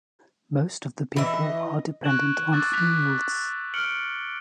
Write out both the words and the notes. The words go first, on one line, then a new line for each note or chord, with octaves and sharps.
Most of the people are dependent on fields.
E3 D#5 E5
C#6 F#6 G#6 D7 E7 F#7
C#6 D6 E6 F#6 G#6 A6
D6 F#6 G6 B6 F7
F6 C#7 D7 F#7